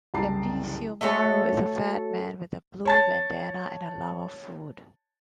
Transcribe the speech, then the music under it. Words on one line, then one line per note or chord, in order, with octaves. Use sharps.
Ebisumaru is a fat man with a blue bandana and a love of food.
F#1 C2 A5 A#5 D6 C7
A3 F#4 A4 C#5
C#5 A5 A6